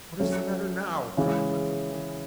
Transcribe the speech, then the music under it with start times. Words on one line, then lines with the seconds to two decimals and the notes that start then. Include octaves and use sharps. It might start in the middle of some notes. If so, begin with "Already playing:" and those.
"What is the matter now?" cried my uncle.
0.20 F#3 A3 C#4
1.17 C#3 E3 G#3